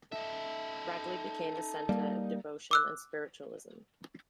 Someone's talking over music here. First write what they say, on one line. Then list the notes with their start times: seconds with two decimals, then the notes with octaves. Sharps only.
Ragley became a centre of devotion and spiritualism.
0.12 D#4 A4 E5
1.89 G3 A#3
2.71 D6 E6 F#6